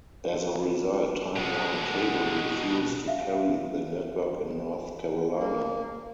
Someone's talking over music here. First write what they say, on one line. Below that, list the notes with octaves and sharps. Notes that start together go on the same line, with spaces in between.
As a result, Time Warner Cable refused to carry the network in North Carolina.
B2 G#3
E5 F5
A#3